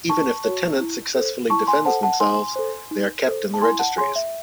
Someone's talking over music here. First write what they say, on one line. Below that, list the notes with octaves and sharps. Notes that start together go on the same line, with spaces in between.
Even if the tenant successfully defends themselves, they are kept in the registries.
D#4 A5 C#6
F#4 C#5
E4
A4 C5
E4 A5 C#6
G#5 C6
A4 C5 F#5 A5
F#5 A5
D#4 G#5 C6
A4 C5
D#4
A4 C5
A5
E4 G#5 C6
F#5 A5
G#4 C#5 G#5 C6
E5